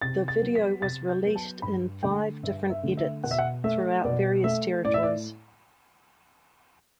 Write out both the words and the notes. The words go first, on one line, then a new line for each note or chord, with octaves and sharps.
The video was released in five different edits throughout various territories.
C3 A6
A6
F#3 B3
B6
C3 A6
G6
F#3 B3
A5
G2 B5
D3 A3 G5
G2 E5
E5
D3 A3
E5
B2 F#5
E5
F#5
A3 E5
B2 D5
A3 E5
A2 D5
E5
D5